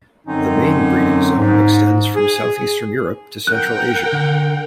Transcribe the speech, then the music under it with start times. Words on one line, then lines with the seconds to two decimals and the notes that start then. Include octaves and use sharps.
The main breeding zone extends from south-eastern Europe to central Asia.
0.27 F#2 D3 F#3 C4 C#4 D#4
1.36 G#2
2.15 G#4
3.47 A#4 F#5 G5 F#6
4.12 D3